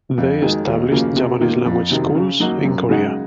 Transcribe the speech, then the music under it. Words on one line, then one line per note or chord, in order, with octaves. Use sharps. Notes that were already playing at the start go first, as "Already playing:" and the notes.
They established Japanese language schools in Korea.
F2
D#3 G#3
D#2
C#3 F3 A#3
C3
D#3 A#3 F4
F2
C3 D#3
C#3
F#3 A#3 D#4 F#4
F#2
C#3 G#3 D#4 F#4